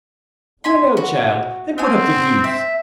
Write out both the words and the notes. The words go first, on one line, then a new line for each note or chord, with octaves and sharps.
Run out, child, and put up the goose.'
G#5 B5 C6
F#4
B3 C4 G#5
E5